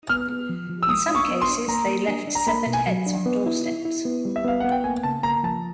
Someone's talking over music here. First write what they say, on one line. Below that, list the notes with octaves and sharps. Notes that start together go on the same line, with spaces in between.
In some cases, they left severed heads on doorsteps.
B3 F6
B3
F3
F3
E6
G#3 D#6
D4
C#6
B3
C6
D4
A#3 A#5
A#3
D4
D4
A#5
A#3 B5
B2
G#5
F#3
D4
B3
E4
E4
E4
B3
G3
E5
B3 F5
B3 F#5
G5
A#3 G#5
C#3 A5
A#3 A#5
F3 A5